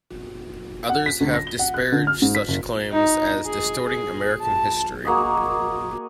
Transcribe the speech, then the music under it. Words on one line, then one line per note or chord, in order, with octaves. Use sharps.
Others have disparaged such claims as distorting American history.
F#5
B6
D2
A#6
G7
F#5
F#6
D3
F6
G#2
B6
F#1
D#4
G#4
G#4
A5
A#3 F#4 G#4 D#5